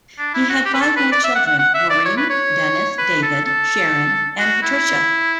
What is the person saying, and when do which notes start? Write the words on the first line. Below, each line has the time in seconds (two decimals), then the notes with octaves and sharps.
He had five more children, Maureen, Dennis, David, Sharon and Patricia.
0.19 D4
0.34 E4
0.50 F#4
0.66 G4
0.74 B4
0.81 A4
0.97 B4
1.12 D5
1.24 E5
1.35 F#5
1.47 F#5
1.59 F#5
1.74 E5
1.90 D5
2.06 C#5
2.17 B4
2.30 C#5
2.99 B4
3.23 A4
3.45 A4
4.39 F#4
4.63 E4